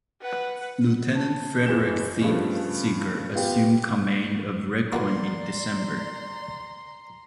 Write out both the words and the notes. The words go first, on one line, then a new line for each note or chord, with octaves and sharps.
Lieutenant Frederick Thesiger assumed command of "Requin" in December.
B4 F#5
A5
F#1 E3 G#4 G6 E7
G2 C#3 F3 A3
B3 F4 G4
A#3 F4 F#4 B4 D5 A#5 C6